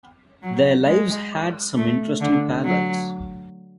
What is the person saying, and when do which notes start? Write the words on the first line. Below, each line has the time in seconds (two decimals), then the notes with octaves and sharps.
Their lives had some interesting parallels.
0.43 F#3
0.86 G#3
1.77 A3
2.21 D3
2.65 F#3